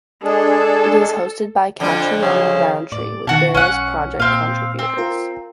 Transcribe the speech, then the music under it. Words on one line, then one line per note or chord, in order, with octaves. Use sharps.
It is hosted by Catriona Rowntree with various project contributors.
G#3 D4 G#4 A4
F2 D3 F3
C#3
A2 D5
B2 D#3 F#4 A5
B1 C#4 F#5
A#2 C4 F5
C4
F4 A#4